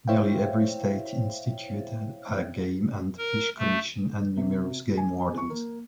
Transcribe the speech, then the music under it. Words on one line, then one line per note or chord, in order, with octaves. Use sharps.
Nearly every state instituted a game and fish commission and numerous game wardens.
E4 C5 C#5 E5 F5 G5
A#4
A3
C3
G#5
C#6
A#3